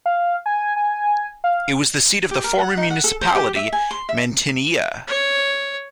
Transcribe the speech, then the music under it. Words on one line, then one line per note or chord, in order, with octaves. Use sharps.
It was the seat of the former municipality Mantineia.
F5
G#5
G#5
F5
G4
A#4
F#5
D#4
F#5
A4
C5
G4
E5
G#5
C6
E5
C#5